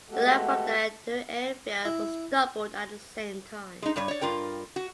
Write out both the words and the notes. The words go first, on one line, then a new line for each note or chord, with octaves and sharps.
The line from there to Enfield was doubled at the same time.
G#3 A3 B3 F#4 G4 A4
E4
G#3 D#4
G2 G3 C#5
C#5 D5
G2 F4 A#4 G5
F#4